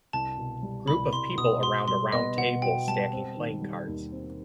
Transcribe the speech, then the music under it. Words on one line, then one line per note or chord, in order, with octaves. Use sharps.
Group of people around a round table stacking playing cards.
C2 A5
B2
G3
C2 B5
C2 C6
B2 D#6
F#4 C6
G3 C6
B3 D#5
B2 F#5
F#4 G5
G3 A5
C4
D#3
G3
D#2
C4